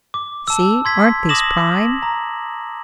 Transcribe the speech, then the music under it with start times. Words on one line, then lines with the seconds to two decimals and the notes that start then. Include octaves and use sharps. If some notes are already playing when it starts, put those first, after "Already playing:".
"See--aren't these prime!"
0.14 D6
0.48 A5 E6
0.85 C6 G#6 B6
1.29 D6 D#6 A#6 E7 F#7
2.03 A#5